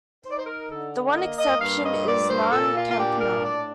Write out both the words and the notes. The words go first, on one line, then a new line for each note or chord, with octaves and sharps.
The one exception is Nan Kempner.
D#4 C5
D5
C5
A#4
D3 A4
A#3 D#5
D#5
G2 F5
D#5
A#2 D5
C5
A#4
A#2 A4
F4
F4
D4 G4
A#4
A2 D5